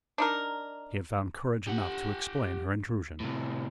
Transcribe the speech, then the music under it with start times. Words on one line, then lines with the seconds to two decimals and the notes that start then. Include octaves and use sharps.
She had found courage enough to explain her intrusion.
0.18 D4 D#4 A#4
1.67 G4 F#5
3.20 A2 C3